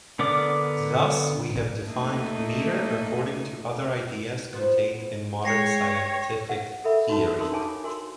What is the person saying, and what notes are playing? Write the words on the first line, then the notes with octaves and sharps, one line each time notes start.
Thus we have defined 'metre' according to other ideas contained in modern scientific theory.
D3 B3 A#4 D5 D6
A3 A#3 D#4
B3 F4 C5
G#3 C#5 G5 A#6 C7 C#7
B4 F#5
A4 A#4 E5 B5
D#4 F#4 B4 C#5 A5
G4 A#4 A5 B5 C6 D#6
D4 B4 C#5 G#5 A5 D6
F#4 A#4 G#5 C6